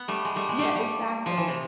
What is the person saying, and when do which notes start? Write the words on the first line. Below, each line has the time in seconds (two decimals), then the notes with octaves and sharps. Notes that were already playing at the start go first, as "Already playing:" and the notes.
Yeah, exactly.
Already playing: B3
0.08 G3 A3
0.25 G#3
0.36 G3 A3
0.49 G#3
0.58 G3 A3
0.76 G3
1.26 F3
1.37 E3
1.48 C3